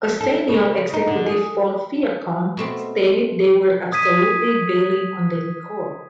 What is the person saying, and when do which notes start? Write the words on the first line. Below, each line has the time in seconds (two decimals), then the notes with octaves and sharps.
A senior executive for Viacom stated they were absolutely bailing on the record.
0.21 A4
0.49 C#3
0.93 D#4
1.07 D3
1.26 G#4
2.57 B2 A3 C4
3.92 D#6 G#6 B6 D#7